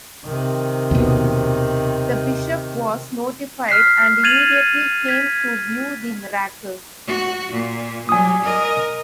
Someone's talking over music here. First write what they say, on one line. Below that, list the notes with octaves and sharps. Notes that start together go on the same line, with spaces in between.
The Bishop was notified and immediately came to view the miracle.
C3 D#3
D#2 B2
F6 F#6 B6 C7
F#6 G#6 A6 D#7 F7 F#7
G#6 B6
F#4
A#2
F#3 G3 G#5 D#6
A#4 D#5